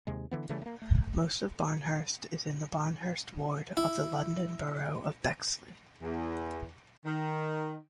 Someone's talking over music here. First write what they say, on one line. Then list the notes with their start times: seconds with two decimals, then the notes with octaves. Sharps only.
Most of Barnehurst is in the Barnehurst ward of the London Borough of Bexley.
0.07 D#2 C3 G#3
0.31 D3 E3 B3
0.49 C#3 E3 G3 A3
0.62 A3 A#3
0.82 A3
3.77 E4
6.02 E2
7.06 D#3